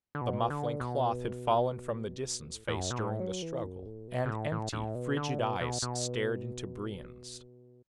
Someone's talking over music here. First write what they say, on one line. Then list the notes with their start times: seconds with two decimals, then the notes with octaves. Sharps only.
The muffling cloth had fallen from the Disan's face during the struggle, and empty, frigid eyes stared into Brion's.
0.15 D3
0.21 B2
0.50 D3
0.80 B2
2.54 A2
2.68 A2
2.76 F#2
2.91 B2
2.99 A2
3.20 F#3
3.42 E3
3.64 F#2
3.86 A2
4.08 B2
4.25 B2
4.29 A2
4.52 A2
4.73 A2
4.95 B2
5.17 D3
5.39 B2
5.61 B2
5.82 B2